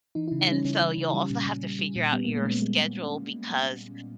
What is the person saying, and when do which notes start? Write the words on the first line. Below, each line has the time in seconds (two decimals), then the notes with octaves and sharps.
and, so, you'll also have to figure out your schedule because
0.15 E3 D#4
0.28 C#3 E4
0.40 D#4
0.48 G3 C#4
0.65 C#3 C#4
0.81 E3
0.98 C#3
1.14 G3
1.30 A#2
1.46 A#2
1.63 G3
1.79 G3
1.96 A#2
2.13 G3 B3
2.25 A#2 A#3
2.37 G#3
2.45 A#2 B3 C#4
2.62 G3 G#3